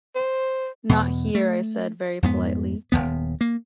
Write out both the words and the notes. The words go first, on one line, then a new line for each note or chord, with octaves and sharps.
'Not here,' I said, very politely.
C5
E2 B2
A3
F2 G#2 B3
D#1 G#1 D#2 B3
A#3